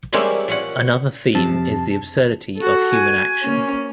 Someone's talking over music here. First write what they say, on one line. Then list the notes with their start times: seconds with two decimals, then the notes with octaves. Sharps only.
Another theme is the absurdity of human action.
0.13 G3 G#3 A#3 C4 C#4 E5
0.48 A#2 C#4 F#5
1.35 F2 C3 A5
2.58 F#4 A4
2.94 G#5
3.42 A#3 C#4